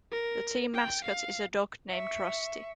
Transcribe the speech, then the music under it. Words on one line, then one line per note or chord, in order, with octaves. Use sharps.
The team mascot is a dog named Rusty.
A#4
G5
F5
E5 C#6